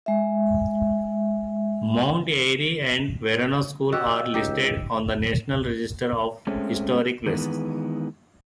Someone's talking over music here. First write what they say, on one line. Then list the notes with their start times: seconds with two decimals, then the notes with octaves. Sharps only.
Mount Airy and Verona School are listed on the National Register of Historic Places.
0.06 G#3 E5
3.92 F#4 G4 D#5 E6
4.34 C#2 D#4 G4
6.47 G#3 A3 C4 C#4
7.26 D#3 E3 G#3 B3